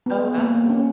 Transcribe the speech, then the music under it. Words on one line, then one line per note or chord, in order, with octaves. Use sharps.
Oh, that's cool.
B3
A#3
A#3
C#4